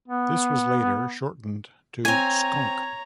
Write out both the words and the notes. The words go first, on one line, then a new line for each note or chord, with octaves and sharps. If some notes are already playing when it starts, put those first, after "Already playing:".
This was later shortened to "Skonk".
B3
C4 C#5 G#5 A#5 G#6